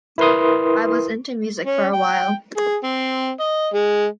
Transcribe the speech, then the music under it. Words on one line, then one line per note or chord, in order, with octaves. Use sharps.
I was into music for awhile.
E4 A#4 B4 C6 D#6
C#4
G5
G#4
C4
D#5
G#3